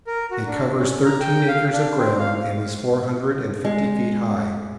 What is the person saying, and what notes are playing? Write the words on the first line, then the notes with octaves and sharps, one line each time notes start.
It covers thirteen acres of ground and is four hundred and fifty feet high.
A#4
F#4
D4
C#4
A#5
G5
F5
D4
C4
F5
G#3